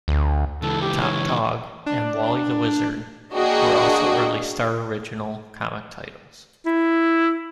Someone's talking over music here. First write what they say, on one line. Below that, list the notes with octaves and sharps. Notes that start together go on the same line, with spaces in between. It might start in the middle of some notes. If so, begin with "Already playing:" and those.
"Top Dog" and "Wally the Wizard" were also early Star original comic titles.
D2
C#2 E3 A4
G4
C#5
D4
A#3 D4 F#4 G#4 D#5 G5
E4